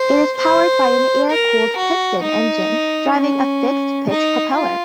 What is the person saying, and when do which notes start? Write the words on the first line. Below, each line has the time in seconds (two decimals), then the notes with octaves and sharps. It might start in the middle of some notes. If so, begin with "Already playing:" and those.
It is powered by an air-cooled piston engine driving a fixed-pitch propeller.
Already playing: C5
0.38 C5
1.31 A#4
1.77 F#4
2.23 D#4
3.15 C#4
4.08 D#4
4.54 F4